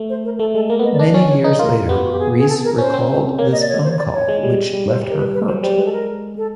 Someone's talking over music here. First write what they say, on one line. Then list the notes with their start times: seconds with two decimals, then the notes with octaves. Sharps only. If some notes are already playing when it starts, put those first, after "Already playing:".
Many years later, Reis recalled this phone call, which left her hurt.
Already playing: A3
0.09 C5
0.25 A#4
0.39 A3 A4
0.54 G#3 A4
0.69 A#3 A#4
0.79 B3
0.84 D#5
0.94 D5
0.99 D4 D#5
1.14 C#4 D5
1.29 C#5
1.44 D#4 B4
1.59 F4 A#4
1.88 B3 G4
2.04 F#4
2.12 G4
2.19 G#4
2.38 G#4
2.49 A4
2.64 A#4
2.78 C#4 C5
2.94 C4
3.38 A#3 C#5
3.52 D#5
3.60 D5
3.69 C#5
3.84 C5
3.91 C#5
3.98 D5
4.13 C#5
4.28 G#3
4.43 G3
4.73 G3
4.89 C5
5.03 G3
5.10 A#4
5.18 B4
5.34 B4
5.48 F#3 C5
5.62 G3 C5
5.78 G#3 B4
5.85 A4
5.93 A#4
6.37 A4